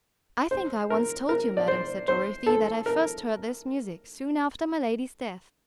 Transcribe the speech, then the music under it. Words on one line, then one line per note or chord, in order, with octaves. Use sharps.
'I think I once told you, madam,' said Dorothee, 'that I first heard this music, soon after my lady's death!
C5
A#4
A#4
D5
C5
C5
A4
A#4